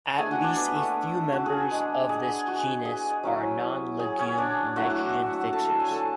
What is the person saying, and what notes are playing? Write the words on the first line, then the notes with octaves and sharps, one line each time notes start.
At least a few members of this genus are non-legume nitrogen fixers.
A3 D4 G#4 G#5
F#4 F#5
D4 D5
B3 B4
A3 A4
F#4
G#4
G#3 D4
G#4
F#4
G#4
F#3 C#4 E4
G#4
C#4 C#5
D4 D5
F#3 A3 E4 F#4 F#5
E5
F#4 F#5
F#4 F#5
A4 A5
G#5
A4 A5